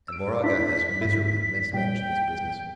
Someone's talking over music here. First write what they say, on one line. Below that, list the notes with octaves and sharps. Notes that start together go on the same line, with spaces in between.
And Moraga has miserably mismanaged this business.
E6 D7
D4 E4 B6
G#2 E4
A#2 G3 G5